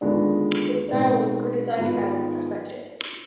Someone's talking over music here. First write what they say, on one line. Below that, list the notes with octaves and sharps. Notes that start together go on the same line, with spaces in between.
His style was criticized as affected.
D#2 D3 G#3 B3 F4 B4 D5
B2 G#3 C4 D#4 B4 D5
G#2 D#3 B3 F4